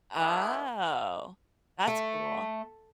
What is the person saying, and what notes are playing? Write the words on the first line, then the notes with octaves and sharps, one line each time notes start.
Oh, that's cool.
D#3 G#3 A3 B3 D4 E4
A3